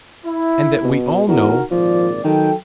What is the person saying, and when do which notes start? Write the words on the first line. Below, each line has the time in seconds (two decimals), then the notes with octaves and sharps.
And that we all know.
0.25 E4
0.84 B2
1.28 E2 D#4 F#4 A#4
1.71 G#1 A#2 F3 D5
2.24 D#3 F#3 A4 G5